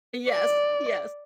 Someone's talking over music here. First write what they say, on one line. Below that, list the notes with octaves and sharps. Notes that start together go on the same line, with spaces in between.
Yes. Yes.
D5